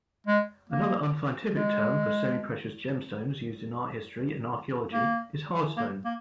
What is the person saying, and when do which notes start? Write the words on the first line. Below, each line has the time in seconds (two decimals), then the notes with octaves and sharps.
Another unscientific term for semi-precious gemstones used in art history and archaeology is hardstone.
0.26 G#3
0.69 A#3
1.54 G#3
4.92 A#3
5.77 A#3
6.05 A#3